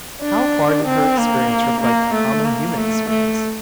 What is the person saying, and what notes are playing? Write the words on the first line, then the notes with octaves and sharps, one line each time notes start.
How far did her experience reflect common human experience?
D4
C4
A#3
A#3
A3
A#3
A3
A3